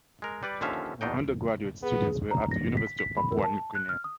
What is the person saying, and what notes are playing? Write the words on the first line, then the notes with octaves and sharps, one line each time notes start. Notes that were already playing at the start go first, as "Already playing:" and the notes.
Her undergraduate studies were at the University of Papua New Guinea.
G#3 A#4
G3 B4 D5
D#2 D3 F3 C#4 E5 F5
E2 B2 D4 D#4 G5
B3 G#4
A#5
A#6
B6
B6
B5
A#4
A5
F#6
F6
D#6